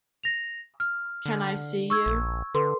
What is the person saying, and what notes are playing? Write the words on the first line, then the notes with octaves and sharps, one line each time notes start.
Can I see you?
A#6 F7
F6
D3
C#6 E6 G#6
A#1
D3 A4 B4 C6